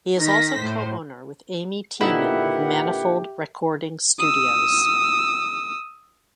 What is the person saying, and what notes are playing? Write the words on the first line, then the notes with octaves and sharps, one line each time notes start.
He is also co-owner with Amy Tiemann of Manifold Recording Studios.
D#3 A#6 B6
A2 C5
A#2 D3 D#4 E4 G4 A#4 B4 F#5
D#6 E6